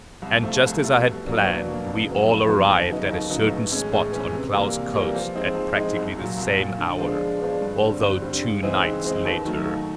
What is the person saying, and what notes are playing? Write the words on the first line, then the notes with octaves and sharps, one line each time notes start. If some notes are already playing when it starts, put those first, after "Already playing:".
And, just as I had planned, we all arrived at a certain spot on Klow's coast at practically the same hour, although two nights later.
C2
C3 F3 A3
C2
C3 F3 A3
B2
F#3 A#3 D4
B2
F#3 A#3 D4
F2
C#3 F#3 B3
F2
C#3 F#3 B3
D#2
C#3 F#3 B3 D#4
D#2
C#3 F#3 B3 D#4
A2
E3 G#3 C#4
A2
E3 G#3 C#4
C3
E3 G3 A#3
C3
E3 G3 A#3
F3
G#3 C4 D#4
F3
G#3 C4 D#4
C2
A#2 F#3
C2
A#2 F#3
D3
F3 G#3 B3 D4
D3
F3 G#3 B3 D4
G2
D3 G3 C4
G2
D3 G3 C4
C#3
E3 G#3 C4 D#4
C#3
E3 G#3 C4 D#4
D#2
D#3 F#3 A3
D#2